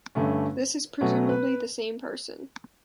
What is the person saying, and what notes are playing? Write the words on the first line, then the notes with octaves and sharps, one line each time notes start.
This is presumably the same person.
G2 D3 A3 C#4
B2 F#3 A3 C#4 F#5
B4